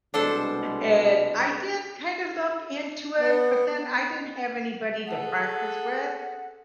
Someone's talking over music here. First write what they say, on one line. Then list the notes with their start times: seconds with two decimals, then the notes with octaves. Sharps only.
and I did kind of look into it, but then I didn't have anybody to practice with,
0.14 C2 B2 G#3 D4 A4 C5
3.20 B3
5.06 G#4 A4 F#5